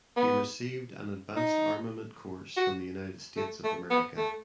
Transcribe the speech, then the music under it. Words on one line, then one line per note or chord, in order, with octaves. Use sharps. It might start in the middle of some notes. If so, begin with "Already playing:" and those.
He received an advanced armament course from the United States of America.
B3
D#4
F#4
A3
A3
B3
A3